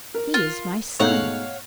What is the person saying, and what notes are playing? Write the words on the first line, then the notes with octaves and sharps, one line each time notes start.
He is my son.
A#4
F4
G#2 B2 A3 C#5 F5 F#5